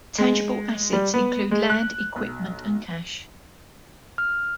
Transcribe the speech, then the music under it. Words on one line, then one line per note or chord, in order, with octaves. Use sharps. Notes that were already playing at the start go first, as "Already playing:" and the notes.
Tangible assets include land, equipment, and cash.
G#3
G3
B3
G#3
F#6
B1
F6